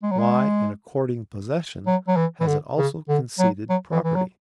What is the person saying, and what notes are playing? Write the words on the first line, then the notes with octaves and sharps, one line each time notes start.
Why, in according possession, has it also conceded property?
G#3
F#3
G#3
F#3
F#3
E3
E3
D3
C#3
D3
F#3
F#3
E3
E3
F#3